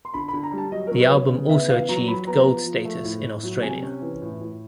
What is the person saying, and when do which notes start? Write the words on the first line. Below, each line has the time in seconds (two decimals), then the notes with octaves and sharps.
The album also achieved gold status in Australia.
0.05 C6
0.14 D3 B5
0.28 B5
0.33 D3
0.43 A#5
0.52 G3
0.58 A5
0.72 F#3 D#5
0.87 A#4
0.91 F#3
1.01 B4
1.11 B3 C#5
1.30 C#3
1.49 B3 E5
1.69 E3 F5
1.89 F#3 A#5
2.08 F#3 B5
2.27 B3 A#5
2.47 F3
2.66 F3
2.85 A3
3.04 A2
3.24 A2
3.43 F#3
3.63 C3 G#5
3.82 C#4
4.02 E3
4.22 A2
4.40 A2